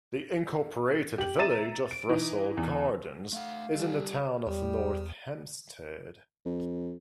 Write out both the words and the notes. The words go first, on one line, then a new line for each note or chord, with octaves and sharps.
The Incorporated Village of Russell Gardens is in the Town of North Hempstead.
G4 F#7
E5 A#5 A6 D#7 E7
D7
E3 D#4
E2
A3 F5 F#5
G3 G4 A4
E2 G3
F2